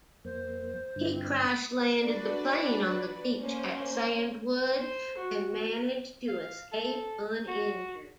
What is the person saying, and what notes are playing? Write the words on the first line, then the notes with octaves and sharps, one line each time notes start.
He crash-landed the plane on the beach at Sandwood, and managed to escape uninjured.
F2 A#3 C5
G2 D3
C4
D4 F#4 B4 D5
A#3 C#4 C5
C5
F#4
F5
A4
F#4